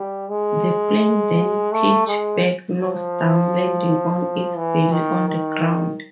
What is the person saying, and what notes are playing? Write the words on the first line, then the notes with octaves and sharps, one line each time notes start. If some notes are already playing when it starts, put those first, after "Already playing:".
The plane then pitched back nose-down landing on its belly on the ground.
Already playing: G3
G#3
A3
G#3
F3
E3
D#3
D#3